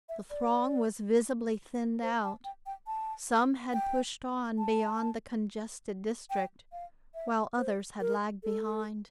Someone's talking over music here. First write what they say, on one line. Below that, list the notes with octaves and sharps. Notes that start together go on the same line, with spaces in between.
The throng was visibly thinned out; some had pushed on beyond the congested district, while others had lagged behind.
E5
D5
C5
A5
G5
G5
A5
G5
A5
G5
F5
E5
C5
A#4
A4